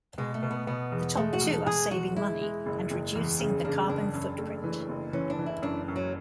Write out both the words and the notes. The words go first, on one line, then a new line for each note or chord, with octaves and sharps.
The top two are saving money, and reducing the carbon footprint.
B2 G#3
A3
B2
B3
B2 B3
E2
G#3 A3
F#4
E2
A4
E2 G#4
E2 F#4
G#3 E4
G#3
F#1
F#1
E2
C#3
C#3 D4
F#1 D4
F#2
A3
E3
F#1
E3 C#4
D4
E3
E4
F#2 D4
F#2
F#3